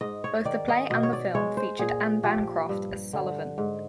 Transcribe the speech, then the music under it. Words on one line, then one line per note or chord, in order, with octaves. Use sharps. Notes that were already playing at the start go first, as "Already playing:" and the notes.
Both the play and film featured Anne Bancroft as Sullivan.
G#2 D#5
C#5
D#3 D5
D#5
B2 D#5
C#5
D5
G#3 C#5
C5
A#2 G#4
F3 G4
G2
D3
G#2